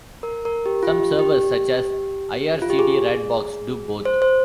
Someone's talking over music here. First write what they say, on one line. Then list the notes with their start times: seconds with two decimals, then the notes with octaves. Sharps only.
Some servers, such as ircd-ratbox, do both.
0.23 A#4
0.45 A#4
0.66 G4
0.83 F4
0.88 G4
1.19 G4
2.62 F4
2.70 G4
2.79 G#4
4.05 C5
4.22 C5